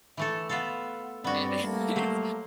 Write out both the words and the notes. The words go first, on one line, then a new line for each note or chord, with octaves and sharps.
it is
E3 A3 A4
B3 F4 A4
G2 B3 C4 F#4 D5
G3 A3 A#3
F#3 C5